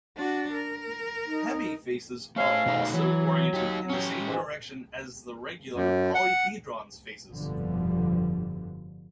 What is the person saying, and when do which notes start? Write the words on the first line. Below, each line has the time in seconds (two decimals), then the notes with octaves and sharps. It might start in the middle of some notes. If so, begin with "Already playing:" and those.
Hemi faces are also oriented in the same direction as the regular polyhedron's faces.
0.17 D4 F#4
0.51 A#4
1.27 D#4
2.36 G#2 A3 C#4 C#5 F5
2.66 B2 A3 D#4
2.93 E3 F#3
3.54 D#4 G4
3.89 C#4 G4
4.27 F2 G#2 E3
5.75 F#2
6.15 F#5
7.29 F1 G2 B2 D3 F3 G3